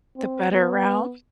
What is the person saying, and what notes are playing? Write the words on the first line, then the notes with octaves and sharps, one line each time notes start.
The better route.
C4
B3